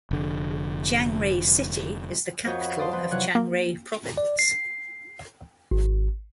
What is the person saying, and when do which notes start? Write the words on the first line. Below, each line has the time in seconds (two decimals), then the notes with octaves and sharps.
Chiang Rai City is the capital of Chiang Rai Province.
0.11 F1 D3
2.45 F2 F#4 A#4 C#5 D#5 G6
2.61 B4
2.78 B4 D5 D#5 F5 A5 C6
2.92 F3 B4 C6
3.10 C3 E3 F#3 C#5 F#6
3.35 A#3
4.17 D5
4.39 C7
5.71 G#1